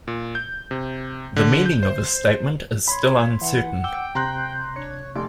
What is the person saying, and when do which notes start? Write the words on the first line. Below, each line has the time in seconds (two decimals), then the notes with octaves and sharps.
The meaning of his statement is still uncertain.
0.08 A#2
0.35 G6
0.71 C3
1.36 D3
1.66 G6
1.83 C5
2.88 C#5 B5 C6
3.41 E3 F#5
3.84 G5 D6 E6
4.15 C3 A#5 C6 F#6 G6
4.76 D4 C#5
5.16 F1 D5 C6